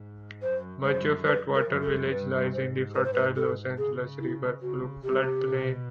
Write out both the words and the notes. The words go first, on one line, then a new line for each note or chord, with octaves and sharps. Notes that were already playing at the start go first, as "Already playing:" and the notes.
Much of Atwater Village lies in the fertile Los Angeles River flood plain.
Already playing: G#2
F#2 C5
F#2 C5
B4
A#4
F#2
A4
G2 B4
G#2 C5
B4
C5
B4
A4
C#3 G#4
E4
C#3 F#4
C3 G4
B2